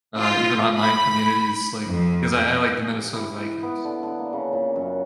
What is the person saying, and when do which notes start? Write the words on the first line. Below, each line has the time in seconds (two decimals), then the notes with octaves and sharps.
uh, even online communities, like, because I I like the Minnesota Vikings.
0.20 F4
0.77 B5
1.87 F2
2.69 G#4
2.94 G4
3.13 E4
3.36 F#5
3.63 B3
3.84 D3
4.03 D3
4.19 A#3
4.33 C#3
4.53 A#2
4.76 F#2